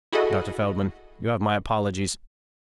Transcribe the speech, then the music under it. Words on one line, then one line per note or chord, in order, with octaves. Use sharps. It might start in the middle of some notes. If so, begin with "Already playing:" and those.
Dr. Feldman, you have my apologies.
E4 F#4 G#4 A4 D#5